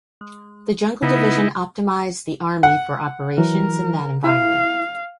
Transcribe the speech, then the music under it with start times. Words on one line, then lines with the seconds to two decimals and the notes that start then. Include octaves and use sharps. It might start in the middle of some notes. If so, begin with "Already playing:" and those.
The jungle division optimised the Army for operations in that environment.
0.21 G#3
1.02 C#3 B3 D#4 E4
2.63 F#5
3.38 E3 F#3 A#4
4.24 E4 F5